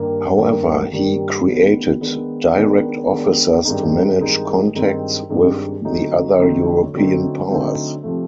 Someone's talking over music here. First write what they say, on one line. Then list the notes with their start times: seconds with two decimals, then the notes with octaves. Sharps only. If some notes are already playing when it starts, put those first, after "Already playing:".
However, he created direct officers to manage contacts with the other European powers.
Already playing: G2 D#3 G3 A#3
0.37 G2 D#3 G3 A#3
0.92 G2 D#3 G3 A#3
1.46 D#3 G#3 B3 D4
2.01 D#3 G#3 B3 D4
2.56 D#3 G#3 B3 D4
3.11 D#3 G#3 B3 D4
3.65 G2 D#3 G#3 C4 D#4
4.20 G2 D#3 G#3 C4 D#4
4.74 G2 D#3 G#3 C4 D#4
5.29 G2 D#3 G#3 C4 D#4
5.85 D3 F#3 A3 C4 D#4
6.39 D3 F#3 A3 C4 D#4
6.93 D3 F#3 A3 C4 D#4
7.49 D3 F#3 A3 C4 D#4
8.03 C3 F3 A3